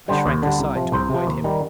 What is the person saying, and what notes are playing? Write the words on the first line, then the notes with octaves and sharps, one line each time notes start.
I shrank aside to avoid him.
D3 G3 C5
D#2
D3 G3
C2
C3 F3
C2 C5
C3 F3
D#2
D#3 G3